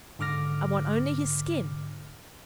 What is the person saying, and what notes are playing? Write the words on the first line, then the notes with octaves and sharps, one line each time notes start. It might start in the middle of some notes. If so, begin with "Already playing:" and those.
I want only his skin.
G#2 D3 D6 F6 A#6